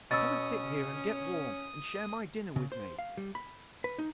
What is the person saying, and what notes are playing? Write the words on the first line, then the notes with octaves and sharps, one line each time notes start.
Come and sit here and get warm, and share my dinner with me.'
B2 C#4 D#6 E6 A6
C#3
C5
F5
G3
B5
B4
D#4